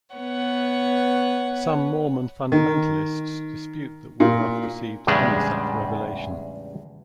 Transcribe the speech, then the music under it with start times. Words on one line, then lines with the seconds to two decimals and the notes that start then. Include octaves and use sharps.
Some Mormon fundamentalists dispute that Woodruff received any such revelation.
0.15 B3 B4 C#5 F#5
2.52 D#3
4.20 A#2
5.07 E2 A2 C#3 G3 G#3 D4